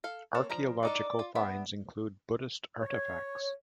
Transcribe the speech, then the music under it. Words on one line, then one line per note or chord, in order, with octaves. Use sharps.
Archaeological finds include Buddhist artifacts.
A4 F5
A#3 C4 C#5 A5
F3 D4 A#4 A#5
D4 D#4 A4 D5
F4
B3 D4 E5 B5
C#5